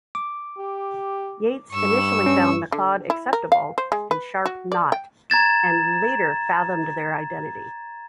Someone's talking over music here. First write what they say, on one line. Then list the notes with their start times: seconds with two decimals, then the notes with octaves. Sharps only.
Yeats initially found Macleod acceptable and Sharp not, and later fathomed their identity.
0.15 D6
0.59 G4
1.71 G2 C#6 E6
2.26 C#4
2.72 D3
3.10 E4
3.33 A#4
3.52 F5
3.78 C5
3.92 G#3
4.11 B4
4.46 F#4
4.72 D5
4.92 G5
5.30 A#5 G#6 A6 E7